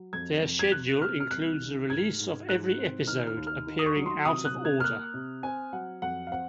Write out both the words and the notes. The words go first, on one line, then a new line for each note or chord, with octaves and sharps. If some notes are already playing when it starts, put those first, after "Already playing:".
Their schedule includes a release of every episode, appearing out of order.
Already playing: F#3
F2 G#6
F2
G#6
C3 F#6
C3 F6
F6
C2 F#6
D#3
G#2 G#6
G#2
G#2 F#6
C4
D#3 F6
F6
D#2
F6
D#3
D#6
C#6
F#3
C6
C3 D#6
F#6
C3
G#6
F6
A#3 F#6
C3
C4 G#5
F#3 F#5
F2 F#5
F5
C4 F#5